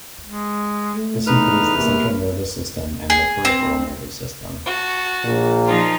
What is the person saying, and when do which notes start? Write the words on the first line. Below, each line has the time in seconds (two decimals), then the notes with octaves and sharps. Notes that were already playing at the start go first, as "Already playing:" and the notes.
This includes the central nervous system and the peripheral nervous system.
0.25 G#3
0.95 A3
1.27 E2 D#4 B4 F6
1.76 C3 A#3
3.10 G#4
3.45 C4
4.66 F#4 A5
5.25 A#1 A#2
5.67 F3 D#4 F4